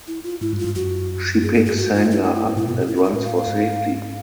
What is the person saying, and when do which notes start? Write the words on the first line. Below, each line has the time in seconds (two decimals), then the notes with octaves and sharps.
She picks Sangha up and runs for safety.
0.07 E4
0.24 F4
0.41 G#2 E4
0.53 G2
0.59 F4
0.64 G2
0.75 F#2 F#4
1.43 G2 G#4
1.54 G#2 A4
1.66 G2 G#4
1.77 F#4
1.95 F4
2.11 E4
2.22 D#4
2.34 E4
2.45 G#2 E4
2.56 A#2 E4
2.68 B2 F4
2.79 G4
2.87 E4
2.96 F4
3.04 F#4
3.13 A2 B4
3.25 F5
3.36 F5
3.48 G#2